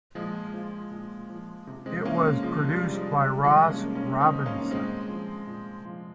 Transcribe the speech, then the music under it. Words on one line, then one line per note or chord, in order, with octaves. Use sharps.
It was produced by Ross Robinson.
A#2 F3 G#3
F3
A#2
F3
C3
G#3 C4
F3 A#3 C#4
C3 F3 G#3
G3
F3
G3
F3 G#3
C3 G3
F3 G#3
D#3
A#3 C#4
C3 A#3 C#4
C4 D#4
D#3
A#3 C#4
A#2 G#3 C4
F3
A#2
F3